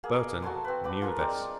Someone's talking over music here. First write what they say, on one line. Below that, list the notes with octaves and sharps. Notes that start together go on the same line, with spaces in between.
Burton knew this.
A#3 G#4
F#4 A4 G#5 C6
C4 B4
B4 B5 D6
F4 G#4 A#4 A#5
G#3 C4 D5